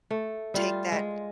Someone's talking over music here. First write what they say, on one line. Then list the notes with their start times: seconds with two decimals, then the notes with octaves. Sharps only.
take that
0.10 A3
0.54 G3 F4
0.92 G#3